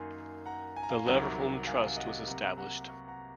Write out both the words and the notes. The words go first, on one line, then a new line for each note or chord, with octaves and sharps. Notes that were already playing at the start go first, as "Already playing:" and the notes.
The Leverhulme Trust was established.
Already playing: F#2 D#3 A#3 D#4 G#5 C6
F#5 A#5
G#5
A#5
F5 G#5
C2 C3 D#3 F#3 F#5 A#5
F5 G#5
D#5 F#5
C3 F#3 A#3 F#5 A#5
F#5 A#5
A#5 C#6
F#5 A#5